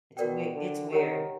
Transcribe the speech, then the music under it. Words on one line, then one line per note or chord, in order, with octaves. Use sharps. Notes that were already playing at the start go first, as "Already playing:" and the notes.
It's wei it's weird.
B2 F#4 A#4 D5 G5
D3
D#3 G4 A#4 C#5 F#5 A#5